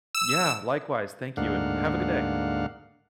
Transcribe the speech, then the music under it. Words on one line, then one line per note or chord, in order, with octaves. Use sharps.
Yeah, likewise, thank you and have a good day.
E6
D2 G#2 A#3 D4 F5 F#5